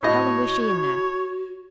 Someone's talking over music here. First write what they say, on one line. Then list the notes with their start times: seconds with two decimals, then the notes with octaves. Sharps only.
"How long was she in there?"
0.03 A2 F#4 C#5 D#5